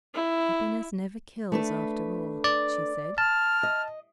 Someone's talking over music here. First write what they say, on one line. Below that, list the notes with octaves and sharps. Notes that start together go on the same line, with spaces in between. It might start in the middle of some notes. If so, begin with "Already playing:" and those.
"Happiness never kills, after all," she said.
E4
A3 D4 B4
D5
A5 F6
D#5